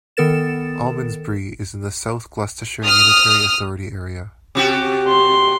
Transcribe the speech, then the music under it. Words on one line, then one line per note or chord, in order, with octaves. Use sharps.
Almondsbury is in the South Gloucestershire unitary authority area.
D#3 B3 A4 A#4 A6 E7
D#6 F6
C3 F#4 G4
C6